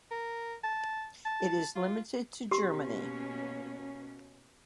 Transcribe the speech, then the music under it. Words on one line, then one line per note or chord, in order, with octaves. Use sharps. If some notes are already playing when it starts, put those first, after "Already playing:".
It is limited to Germany.
A#4
A5
A5
F4
B2 A#3 C#4 G4 C6